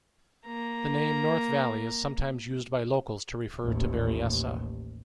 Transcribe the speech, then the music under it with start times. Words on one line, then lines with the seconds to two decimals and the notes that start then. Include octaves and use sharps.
The name North Valley is sometimes used by locals to refer to Berryessa.
0.46 A#3 A#5
3.62 A1 D#2